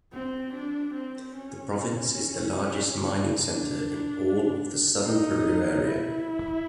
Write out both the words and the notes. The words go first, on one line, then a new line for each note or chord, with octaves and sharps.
The province is the largest mining center in all of the southern Peru area.
C4
D4
C4
C#4
D4
D#4
E4